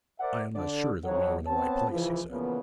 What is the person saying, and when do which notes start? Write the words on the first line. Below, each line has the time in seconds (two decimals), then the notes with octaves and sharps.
'I am not sure that we are in the right place,' he said.
0.20 A#4 C5 D5 E5 F#5
0.54 D3 D4 D5
1.05 F2 F#3 C#5 F#5
1.47 B3 C4 C#5 A5
1.91 C#2 E3 F3
2.30 A#2 C#3 E3 F3 A#3 B3